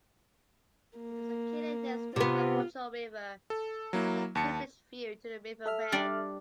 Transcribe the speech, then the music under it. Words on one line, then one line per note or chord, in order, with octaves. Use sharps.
It is located next to Mapocho River with a privileged view to the riverbed.
A#3
C3 B3 F4
A4
F#3 A#3 E4
D#2 A5 C#7
A4 E5 F6
G3 D4 D5